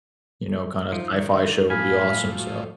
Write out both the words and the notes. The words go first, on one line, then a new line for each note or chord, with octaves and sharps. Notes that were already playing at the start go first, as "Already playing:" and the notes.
you know, kinda sci-fi show would be awesome, so.
F3 D#4
D3 D#3
A2 F3 F5 G#5 B5
F#4